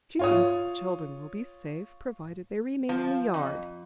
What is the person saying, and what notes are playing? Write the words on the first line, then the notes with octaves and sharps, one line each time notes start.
She thinks the children will be safe, provided they remain in the yard.
F4 C#5 D#6
F3
F2